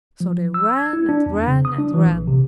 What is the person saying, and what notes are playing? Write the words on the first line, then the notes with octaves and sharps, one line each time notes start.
So they ran and ran and ran.
F3
E6
G#6
E4
D4
E2
C#3
D#6
D4
E3
A#1
C3